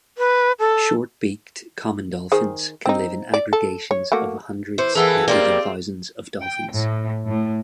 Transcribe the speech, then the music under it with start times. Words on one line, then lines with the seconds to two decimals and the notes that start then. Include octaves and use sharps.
Short-beaked common dolphins can live in aggregations of hundreds or even thousands of dolphins.
0.18 B4
0.59 A4
2.32 D#3 G#4 C5
2.86 C4 D#4
3.34 D5
3.53 A4
3.91 C#5
4.12 A3 A#3 F#4
4.78 E3 C5
4.95 E3 A#3 B3 G#4 A4 B4 E6 G7
5.28 F2 G3 A#3 C4 F4 D5
6.41 G5
6.72 A2
7.26 A2